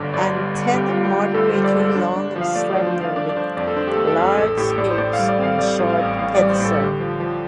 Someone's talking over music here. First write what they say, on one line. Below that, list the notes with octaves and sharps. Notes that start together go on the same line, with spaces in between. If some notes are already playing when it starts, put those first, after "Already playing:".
Antenna moderately long and slender with large scape and short pedicel.
Already playing: G1 G2 D3 D5
G1 D5
G3
G1
G2 G4
F4
G3
G4
G3
G4
G2 A4
C5
G3
D5
G1 A4
D4
D4
F3
F5
A3 D5
D5
F3
C5
F3 F5
D4 D5
D5
D4 C5
F2 D5
A4
D4 C5
G4
A4
A3
A4
F2
A4
A1 A4
A2 G4
A2 D5
C5
A2 D5
F5
G3
D5
C4 F5
G3 D5
A2
F5
A1
A2 F5
G3 D5
C5
A2 A4
A4
D3 G4
F3
F3